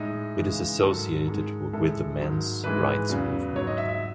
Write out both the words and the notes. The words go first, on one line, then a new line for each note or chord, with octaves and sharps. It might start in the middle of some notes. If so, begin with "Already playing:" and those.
It is associated with the men's rights movement.
Already playing: A2 G#3 D#4
C#2 C#3 E3 G#3
G#2 D#3 F#3 A4
G#2 D#3 G#3
A2 G#3 A4
G#2 D#3 F#3
G#2 E3 G#3 B4
E2 C#3 F#3
G#2 F#3 C#5
D#5
E5
E5